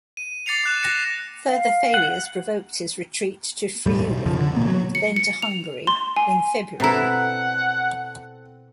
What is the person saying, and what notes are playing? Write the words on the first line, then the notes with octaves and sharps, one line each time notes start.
Further failures provoked his retreat to Friuli, and then to Hungary, in February.
D#7
D6 A6 C7 C#7 F7
D6 F#6 E7
F#6 A#6 C7 C#7
F5
F#5
E1 A2 G3
B1
B1 F2 C#3 F3
D3
A1 B2 A#3
F#3
C#7
C#7
F7
C6
G#5
B2 C4 E4 A4 D5 E5 F#5 A#5